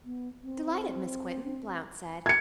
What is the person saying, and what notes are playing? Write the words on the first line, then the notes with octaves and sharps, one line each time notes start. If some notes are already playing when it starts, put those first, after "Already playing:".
"Delighted, Miss Quinton," Blount said.
B3
C4
G#6 C#7